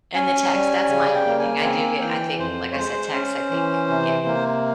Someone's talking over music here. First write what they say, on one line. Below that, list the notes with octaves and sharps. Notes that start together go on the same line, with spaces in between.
and the text, that's my only thing I do get I think like I said, text, I think, get, uh
C#4 G#5
G3
C#3 G#5
G5
A#3
G#5
C4 G#5
E3 G5
F2 C5
C#5
G#3 C5
C#4
E3
C3
A#3